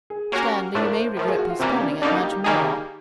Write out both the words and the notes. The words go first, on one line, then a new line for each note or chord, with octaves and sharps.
'Stanley, you may regret postponing it, much more.'
G#4
A#3 C#4 F#4 G4 A#4
A2 F3 A3 D4 A#4
A#4
C5
C5
A2 F3 A3 A#4
G#4
F#4
F4
C3 E3 G3 A#3 C4
C#4
D4
C#4
D3 G3 A#3 D4 D#4
G4
G4
D#3 G3 A#3 D#4 G#4